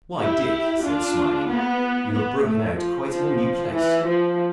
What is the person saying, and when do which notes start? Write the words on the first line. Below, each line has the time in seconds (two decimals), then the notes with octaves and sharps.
"Why, Dick," he said smiling, "you have broken out quite in a new place."
0.20 E4 G4
0.84 D4 F4
1.48 B3
2.13 B3
2.45 A3
2.77 F3
3.09 F3
3.73 E3
4.04 F3